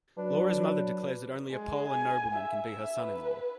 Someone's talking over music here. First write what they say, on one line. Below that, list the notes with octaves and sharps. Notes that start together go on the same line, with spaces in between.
Laura's mother declares that only a Pole and nobleman can be her son-in-law.
F#3 D4 B4
G#3
G#5
E5
E5
B4